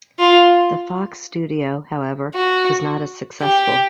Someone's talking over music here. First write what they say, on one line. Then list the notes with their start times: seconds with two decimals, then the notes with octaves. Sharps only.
The Fox studio, however, was not as successful.
0.19 F4
2.34 F#4
3.42 G4